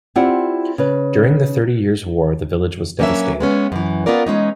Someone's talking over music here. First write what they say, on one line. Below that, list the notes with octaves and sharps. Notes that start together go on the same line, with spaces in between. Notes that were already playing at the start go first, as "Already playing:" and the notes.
During the Thirty Years' War the village was devastated.
C4 E4 F4 G4 D5 F#5
C#3 B4
F#3 A#3 C#4 D4 B4 E5
G#3 B3 C#4
F#2 E3
B3 C#4 F4 A#4 D5
E3 G#3 C#4 D#4